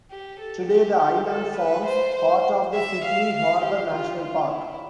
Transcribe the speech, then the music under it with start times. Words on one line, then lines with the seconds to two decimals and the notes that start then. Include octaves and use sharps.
Today the island forms part of the Sydney Harbour National Park.
0.11 G4
0.40 A4
0.69 G4
0.98 G4
1.27 A4
1.57 B4
1.87 C5
2.16 C5
2.74 E5
3.05 F5
3.33 F5
3.63 G4
3.92 F4
4.22 F4
4.51 E4